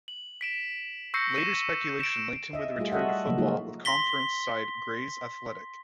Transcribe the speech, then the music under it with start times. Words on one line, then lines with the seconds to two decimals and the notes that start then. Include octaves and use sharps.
Later speculation linked him with a return to football with Conference side Grays Athletic.
0.08 F#7
0.41 B6 D7 E7
1.14 C#6 E6 G6 A#6 C7 C#7
1.36 D#7 E7
2.00 D7 E7
2.53 D#5 E5
2.78 G3 A3 F4 G#4
2.92 F#4 A4 D#5 E5 F#5
3.26 C#3 F3 F#3 A3 A#3
3.38 G#3 A#3 D#4 F4 F#4
3.85 C6 A#6 B6 G7